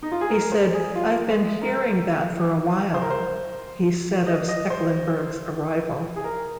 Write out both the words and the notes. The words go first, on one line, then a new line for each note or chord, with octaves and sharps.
He said, "I've been hearing that for a while," he said of Stekelenburg's arrival.
D#4
F4
G#4
A#4
C5
G#4
F4
G#3
A#4
C5
A#4
C5
D#5
D#5
C5
G#4
A#4